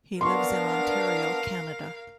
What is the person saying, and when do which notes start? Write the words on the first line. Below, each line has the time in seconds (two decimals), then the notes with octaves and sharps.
He lives in Ontario, Canada.
0.21 B3 D4 A#4 F5 C6 C#6